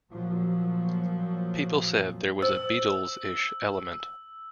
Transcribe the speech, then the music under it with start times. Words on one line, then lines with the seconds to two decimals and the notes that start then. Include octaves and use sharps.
People said there was a Beatles-ish element.
0.11 A#2 F3 F#3
2.42 C5 E6